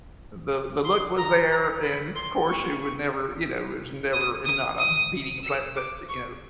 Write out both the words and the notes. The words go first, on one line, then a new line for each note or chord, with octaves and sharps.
the the look was there, and, of course, she would never, you know, it was never uh, not a beating of flat, but t you know,
C6
A#5
A#5
B5
C6
C#6
D#6
D#6
D#6
E6
D6
C#6